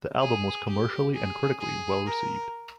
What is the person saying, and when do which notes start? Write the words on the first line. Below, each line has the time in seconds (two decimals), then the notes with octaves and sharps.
The album was commercially and critically well received.
0.21 G#4
0.68 G4
1.14 G#4
1.60 G#4
2.06 A#4